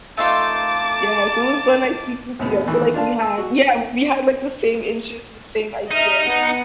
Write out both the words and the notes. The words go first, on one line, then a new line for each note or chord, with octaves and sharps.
Yes, it was so nice speaking to you, I feel like we had yeah, we had, like, the same interests and same ideas.
A3 D#4 F4 A5 D6
D#2 A2 C3 B3
D#3 E3 A3
D4 F4 D5 F5 A5
A5 E6
F#4
D#4 D#5 E5 F6
B3 F#5 C#7